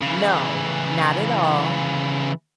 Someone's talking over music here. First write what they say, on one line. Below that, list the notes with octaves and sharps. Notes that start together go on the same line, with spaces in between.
No, not at all.
C#3 E3